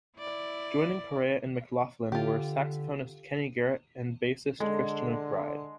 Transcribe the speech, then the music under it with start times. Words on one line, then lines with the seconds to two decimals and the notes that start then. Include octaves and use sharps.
Joining Corea and McLaughlin were saxophonist Kenny Garrett and bassist Christian McBride.
0.18 E4 D5
2.12 D3 F4 G4
4.60 D3 G#3 A4